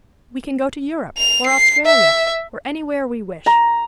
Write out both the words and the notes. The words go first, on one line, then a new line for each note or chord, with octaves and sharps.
We can go to Europe, or Australia, or anywhere we wish.
F7
C7
E5
A#5